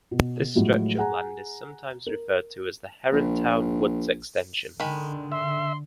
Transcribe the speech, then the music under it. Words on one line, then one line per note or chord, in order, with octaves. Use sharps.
This stretch of land is sometimes referred to as the Herrontown Woods extension.
B2
A2 F3 F#3 G#3 A3
G#4 F#5 G#5 A#5
A#4
A#1
D3 D#3 G#3 B5
E5 C6